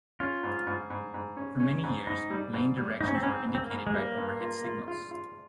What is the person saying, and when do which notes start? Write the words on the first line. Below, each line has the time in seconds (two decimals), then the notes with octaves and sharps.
For many years, lane directions were indicated by overhead signals.
0.20 C#4 F4
0.43 G#2
0.67 G#2
0.90 G#2
1.14 G#2
1.37 C#4
1.60 C#4
1.83 G#2
2.07 G#2 D#4
2.30 G3
2.53 G#2
2.77 G3
3.00 G#2 D#4
3.07 C#4
3.15 C4
3.23 G#2 C#4
3.32 C4
3.48 G#2
3.55 C4
3.63 A#3
3.70 G#2
3.87 G#3
3.94 G3 A#3
4.17 G2
4.41 F4
4.64 F4
4.88 F4
5.11 F4